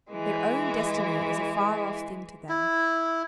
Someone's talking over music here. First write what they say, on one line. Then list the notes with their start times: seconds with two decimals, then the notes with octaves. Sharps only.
Their own destiny is a far-off thing to them.
0.11 E3 G#3
2.49 E4